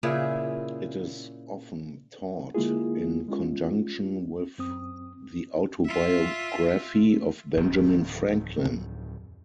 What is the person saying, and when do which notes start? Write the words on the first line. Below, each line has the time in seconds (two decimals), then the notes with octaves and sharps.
It is often taught in conjunction with "The Autobiography of Benjamin Franklin".
0.03 A#2 C#3 E4 G#4
2.54 D3 G#3 A#3 E4 F4 G#4
3.28 G#3 C#4 F4
4.58 F#2 C4 D#6
5.86 F4 E5
7.57 D1 F2 D#3